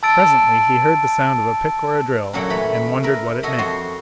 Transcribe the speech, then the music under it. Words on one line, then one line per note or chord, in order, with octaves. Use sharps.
Presently he heard the sound of a pick or a drill, and wondered, what it meant.
A5 E6 A6 D7
F#2 A#2 F#3 A4 F#5 G5
E3 A3 B4 C#5 B5
B5
A#4 B4 E5
F#4 A4 C#5 D#5 E5
F2 F#4 C6